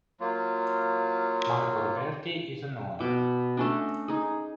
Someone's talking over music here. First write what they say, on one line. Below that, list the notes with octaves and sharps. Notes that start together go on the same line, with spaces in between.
Marco Roberti is an owner.
F#3 A#3 F4
B2 D6
A3 C#4 D4
D#4 G#4